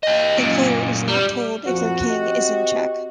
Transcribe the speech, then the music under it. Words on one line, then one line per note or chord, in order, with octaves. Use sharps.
A player is not told if their king is in check.
G4 D#5
F#2 A#2
G3
F2 A#2 F3 F#4
C4 G4 D#5